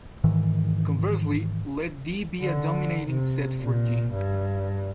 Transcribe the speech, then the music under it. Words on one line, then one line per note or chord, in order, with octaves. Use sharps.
Conversely, let "D" be a dominating set for "G".
G#2 D#3 E3
D3
C3
A#2
G2